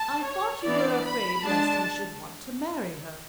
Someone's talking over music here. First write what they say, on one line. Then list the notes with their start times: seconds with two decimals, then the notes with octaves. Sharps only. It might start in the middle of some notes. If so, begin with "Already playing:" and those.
"I thought you were afraid lest he should want to marry her?"
Already playing: A5
0.24 C#5
0.64 E3 B3 D4 D5
1.05 B5
1.45 G#3 D4 A5